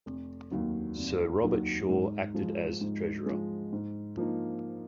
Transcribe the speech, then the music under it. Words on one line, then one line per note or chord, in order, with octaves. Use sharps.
Sir Robert Shaw acted as treasurer.
F1
D#2 D#3 F#3
F1
D#2 D#3 F#3
G#2
F3 G#3
G#2
F3 G#3
G#2
F3 A#3 D#4